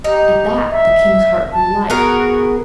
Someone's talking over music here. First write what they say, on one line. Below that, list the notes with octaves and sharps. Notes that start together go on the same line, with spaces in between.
At that the king's heart grew light.
D#4 G4
E5
A5
B3 F#4 G#4 A#4